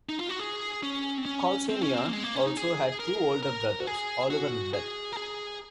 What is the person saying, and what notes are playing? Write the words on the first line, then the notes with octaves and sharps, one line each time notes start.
Cal Senior also had two older brothers, Oliver and Bill.
D#4
F4
F#4
G#4
C#4
C4
C#4
C4
C#4
C4
A#3
G#3
A#3
C#4
D#4
G#4
A#4
A#4
F#4
G#4
F#4
G#4
A#4
G#4